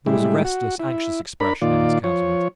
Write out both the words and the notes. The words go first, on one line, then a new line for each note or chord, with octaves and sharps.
There was a restless, anxious expression in his countenance.
A2 G3 G#3 E4
F#4
E4
D4 A#4 B5
A#2 D#3 F4 D5
F3 C#5